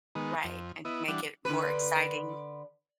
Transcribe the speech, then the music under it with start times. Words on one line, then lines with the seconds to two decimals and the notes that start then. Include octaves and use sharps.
Right, and make it more exciting.
0.15 D#3 G#3 B3
0.44 F2
0.85 B3 E4 D#5
1.08 E3 G3 D4 F#5
1.45 D3 B4